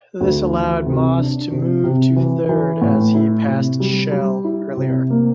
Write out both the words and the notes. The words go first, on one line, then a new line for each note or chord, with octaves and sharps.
This allowed Moss to move to third as he had passed Schell earlier.
D2
E3
C3
D4
C3
C3
E3
E3
A2
E4
C3
G3
G3
E4
C3
A#3